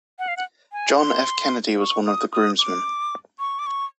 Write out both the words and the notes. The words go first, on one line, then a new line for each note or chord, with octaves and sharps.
John F. Kennedy was one of the groomsmen.
F#5
F5
F#5
G#5
C6
C#6
D#6
D#6
D6
C#6
D6
C#6